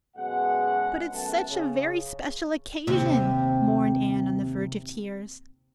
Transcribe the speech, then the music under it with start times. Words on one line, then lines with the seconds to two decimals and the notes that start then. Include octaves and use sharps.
"But it's such a very special occasion," mourned Anne, on the verge of tears.
0.16 F#2 B2 G#3 F#5
1.13 F#2 A3 B3 G5 A5
1.49 C#3
2.87 D#2 C3